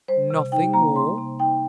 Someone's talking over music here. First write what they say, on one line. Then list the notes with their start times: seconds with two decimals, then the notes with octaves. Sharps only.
"Nothing more?"
0.08 G3 C5
0.30 C3
0.52 D#4 G5
0.73 A#3 A#5
0.95 G3 C6
1.18 C3
1.39 D#4 G5